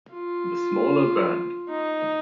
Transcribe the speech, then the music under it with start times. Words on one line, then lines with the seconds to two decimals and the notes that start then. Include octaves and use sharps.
The smaller band.
0.13 F4
1.69 D#4